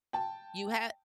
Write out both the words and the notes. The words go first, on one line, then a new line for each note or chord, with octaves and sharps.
You ha
G5 A5